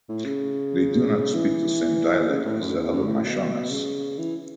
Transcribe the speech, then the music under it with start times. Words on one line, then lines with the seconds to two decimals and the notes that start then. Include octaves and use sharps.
"They do not speak the same dialect as the other Mashonas".
0.09 A2
0.24 C#3
1.34 E3
2.28 C#3
2.45 A2
2.61 F#2
2.76 E2
2.92 F#2
3.07 A2
3.23 B2
3.71 C#3
4.18 E3